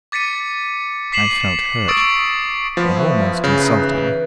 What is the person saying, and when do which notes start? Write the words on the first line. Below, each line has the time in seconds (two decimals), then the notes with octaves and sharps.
I felt hurt, and almost insulted.
0.12 D6 A6 B6 C#7 D#7
1.12 D6 B6 C7 E7 F#7
1.88 C#6 D#6 E6 A6 D7
2.77 F3 B3
2.96 E4 F#4
3.22 E4 F5
3.44 C#3
3.59 D#4 B4
3.81 E3